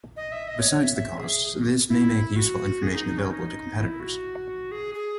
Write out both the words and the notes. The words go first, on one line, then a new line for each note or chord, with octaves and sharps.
Besides the cost, this may make useful information available to competitors.
D#5
E5
D#5
C#5
C#5
E5
E5
G#4
E4
F#4
G#4
D#4
D#4
C#4
D#4
E4
F#4
G#4
G#4